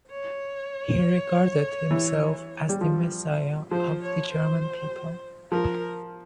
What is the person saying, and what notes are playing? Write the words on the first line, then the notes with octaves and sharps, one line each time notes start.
He regarded himself as the Messiah of the German people.
C#5
E3
G3
F3
F3 C5
C#5
C5
F3 A#4